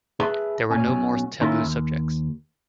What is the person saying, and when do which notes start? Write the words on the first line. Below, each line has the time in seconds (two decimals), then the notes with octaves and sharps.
There were no more taboo subjects.
0.20 G#4 B4 E5 A5
0.70 A#2 C#4
0.86 B1 B2 C#4
1.41 D#3 A#3 C#4 E4 F4 A#4
1.63 D#2